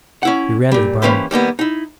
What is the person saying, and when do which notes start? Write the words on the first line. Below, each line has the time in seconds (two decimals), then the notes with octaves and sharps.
We ran to the barn.
0.23 C#4 E4 F#5
0.72 A#2 G3
1.02 E3 A#3 C#4 G4 B4 C5
1.31 D#2 G3 A#3 B3
1.59 D#4 E4